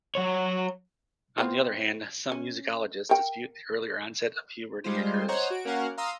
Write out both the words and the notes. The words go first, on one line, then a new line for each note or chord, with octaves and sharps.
On the other hand, some musicologists dispute that earlier onset of puberty occurs.
F#3 C#5
B3 C4 F4
C#4
A#4 F#5 G5
G3 G#3 F4 C5
C5 C#5 D#5 F#5 A#5 C6
F#4 D7
A#3 C#4 F#4 A#4 F5 F#5
F5 A#5 C6 D#6 E6